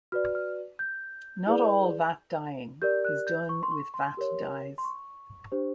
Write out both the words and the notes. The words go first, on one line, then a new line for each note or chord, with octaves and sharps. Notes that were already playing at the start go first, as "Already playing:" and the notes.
Not all vat dyeing is done with vat dyes.
F#4 B4 D5 F6
F6
G6
E4 G#4 B4 D5
G4 A#4 D5 G6
F#6
G6
C#6
C6
C#6
C6
G4 A#4 C#5
C6
C#6
D4 G4 C5